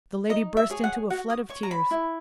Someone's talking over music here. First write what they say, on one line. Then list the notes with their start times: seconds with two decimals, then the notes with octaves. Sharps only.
The lady burst into a flood of tears.
0.29 D#4 D#5
0.57 E5
0.70 G#4 C#5
0.84 F#5
1.10 F#4 F#5
1.30 D#6
1.49 C#5 C#6
1.63 A#5
1.71 B5
1.91 E4